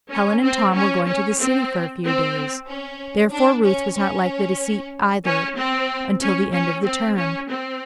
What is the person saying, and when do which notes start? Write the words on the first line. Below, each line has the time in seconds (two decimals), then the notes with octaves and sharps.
Helen and Tom were going to the city for a few days, therefore Ruth was not likely to see either until the end of the term.
0.11 C#4
0.43 C4
0.75 C#4
1.07 C#4
1.39 C4
2.04 C4
2.67 C#4
3.31 D4
3.63 C#4
3.95 C#4
5.24 C#4
5.56 C4
6.20 C#4
6.52 C#4
6.84 C4
7.16 C#4
7.49 C4